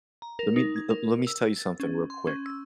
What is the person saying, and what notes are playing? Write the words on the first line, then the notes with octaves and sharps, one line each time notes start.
Let me le let me s tell you something real quick,
A#5
A#4
D#4
G#6
A#4
E6
A6
C#4
C6
C#4
E6